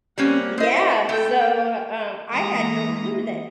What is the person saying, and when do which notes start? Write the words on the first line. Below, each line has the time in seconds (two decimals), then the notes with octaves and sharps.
Yeah, so, um, I had no clue that,
0.18 G3 A#3 C4 C#4 F#5
0.58 E4 C5 D#5
1.09 A3 A4 G5
2.32 E3 G#3 A#3 A#5 D#6